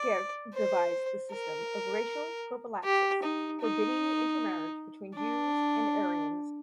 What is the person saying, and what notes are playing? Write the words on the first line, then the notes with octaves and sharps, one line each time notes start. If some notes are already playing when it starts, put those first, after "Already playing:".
Gercke devised the system of "racial prophylaxis", forbidding the intermarriage between Jews and Aryans.
Already playing: D5
C5
A#4
G4
D#4
D#4
D4